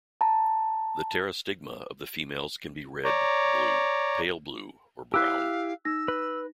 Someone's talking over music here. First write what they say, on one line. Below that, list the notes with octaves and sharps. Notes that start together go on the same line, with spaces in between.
The pterostigma of the females can be red, blue, pale blue or brown.
A5 A#5
C#5 D5 A#5
E4 G4 F5 E6 F#6 B6
D#4 E6 A#6
B4